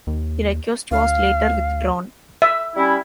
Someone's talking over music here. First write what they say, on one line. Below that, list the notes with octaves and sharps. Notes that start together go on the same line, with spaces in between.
The request was later withdrawn.
D#2
D2 F5
E5
G3 C#4 E4